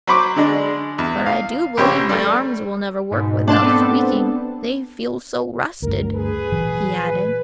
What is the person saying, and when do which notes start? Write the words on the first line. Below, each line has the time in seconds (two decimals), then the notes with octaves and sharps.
"But I do believe my arms will never work without squeaking, they feel so rusted," he added.
0.07 F#3 C5 B5 C#6 D6
0.36 D3 G#3 D4
0.98 E2
1.26 F5
1.77 A#1 C#3 G4 C5 C#5
2.09 G3 A3
3.11 G#2 B2
3.48 D4 A5 C6 D6
3.62 B3 C4 A4
5.82 D2 G2 A#4
6.14 G#4 B4
6.52 A#2 E3 F#3
7.05 B4